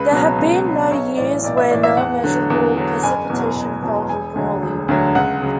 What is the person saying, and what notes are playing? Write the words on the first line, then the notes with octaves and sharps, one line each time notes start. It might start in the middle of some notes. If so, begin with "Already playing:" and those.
There have been no years when no measurable precipitation fell in Brawley.
Already playing: C#2 B4
B2 F#3
C#2
B2 F#3
B1 C#5
A2 E3 D5
B1 D5
E5
A2 E3 D5
E5
E2 F#5
D3 F#3
E2
D3 F#3
F#1 G#5
E2 B2 F#3
F#1
E2 B2 F#3
E1 G#5
D2 D3 F#3
E1
D2 D3 F#3
C#2 F#5
C#3 F#3